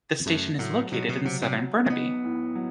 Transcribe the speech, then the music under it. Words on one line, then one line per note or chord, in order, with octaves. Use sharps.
The station is located in southern Burnaby.
E2
F#2 A3
A2 F#3
B2 F#3
B2
C3 F#3
C3
F#3
A3
B3 D#4
A2
F#3